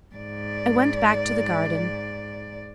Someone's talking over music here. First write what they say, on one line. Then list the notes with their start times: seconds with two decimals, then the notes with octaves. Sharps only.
I went back to the garden.
0.15 G#2 D5